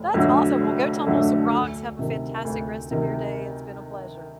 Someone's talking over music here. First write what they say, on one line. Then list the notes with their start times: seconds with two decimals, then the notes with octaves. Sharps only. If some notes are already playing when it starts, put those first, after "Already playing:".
That's awesome, well go tumble some rocks, have a fantastic rest of your day, it's been a pleasure.
Already playing: F1
0.14 F2 D3 F#3 A3
0.60 F1
1.06 F2 D3 F#3 A3
1.53 D2
1.99 C3 D#3
2.45 D2
2.91 C3 D#3